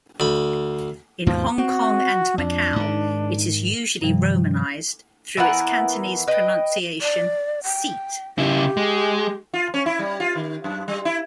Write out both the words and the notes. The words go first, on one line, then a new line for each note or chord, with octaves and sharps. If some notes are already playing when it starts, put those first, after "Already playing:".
In Hong Kong and Macau it is usually romanized through its Cantonese pronunciation Sit.
D2 B5
D#2 G#2 B2 F3
C4 F#4
F2 D4
G#2 D#3
G2 C3 D#3 F3 G3
E3 B3 A#4 F#5
B4 D#5 G5
D5
G5
C#3 E4 G4
G#3
F4
C#4
E4
G3
F4
D#3
F#2
G3
E4